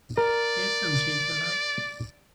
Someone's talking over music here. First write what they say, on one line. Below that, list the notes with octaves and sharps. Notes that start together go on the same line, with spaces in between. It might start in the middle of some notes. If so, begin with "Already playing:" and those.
Here's some cheese you like.
A#4 D5